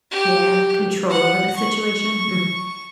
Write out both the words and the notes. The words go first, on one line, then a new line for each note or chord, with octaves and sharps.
yeah, control over the situation,
G4
F#5
C#6